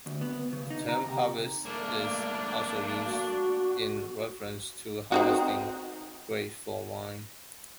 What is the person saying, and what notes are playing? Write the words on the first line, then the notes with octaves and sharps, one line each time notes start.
The term harvest is also used in reference to harvesting grapes for wine.
D2
B3
C#3
D#4
A#5
C3
A3 A#3 D4
F#4
C4 D#4 F#4